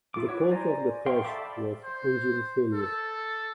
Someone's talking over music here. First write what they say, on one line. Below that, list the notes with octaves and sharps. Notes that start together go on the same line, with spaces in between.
The cause of the crash was engine failure.
E4 F4 D6
E4 F#4 C#5
C5 D5 G#5 A#5
F5 G5 C6 C#6
A4 D5 E5 B5 D6
C5
A4